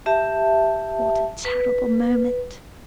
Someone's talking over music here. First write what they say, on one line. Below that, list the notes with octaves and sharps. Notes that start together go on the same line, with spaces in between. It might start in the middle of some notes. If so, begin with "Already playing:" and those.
"What a terrible moment!"
G4 E5 A5
B4